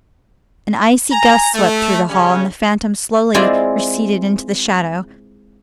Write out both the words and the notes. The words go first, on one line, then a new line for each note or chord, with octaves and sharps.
An icy gust swept through the hall, and the phantom slowly receded into the shadow.
G#5 A#5
A3
C#3 G3 C#4
G#3 C4 E4 F4 D5 G#5